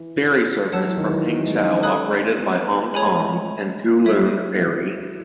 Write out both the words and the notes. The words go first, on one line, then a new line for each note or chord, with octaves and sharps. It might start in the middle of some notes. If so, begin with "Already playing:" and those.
Ferry Service from Peng Chau operated by Hong Kong and Kowloon Ferry.
Already playing: E3
F#3 C#5 F#5 A5 E6
E3
D#3
E3
F#3
G#3
D#4
C#4
A4 C#5 G#5 D#6 F#6
B3
G#3 G#4 C#5 G#5 B5
A3
G#3
F#3 A4 C#5 E5
E4
F#4
E4